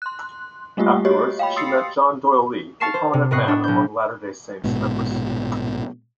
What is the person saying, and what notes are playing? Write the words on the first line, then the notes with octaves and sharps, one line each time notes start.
Afterwards, she met John Doyle Lee, a prominent man among Latter-day Saints members.
C6 F#6
G3 A3 A#3 F4 G4
F#4 G4 C#5 D#5
F5 G5 B5
C6 D#6 E6 A6 C7 C#7
F5 A5 C#6 C7 C#7 E7
C5
C3
A2 B3 D#5 C#6 F#6 C7
D4 C#5
B1 G6
A#1 G#2 B2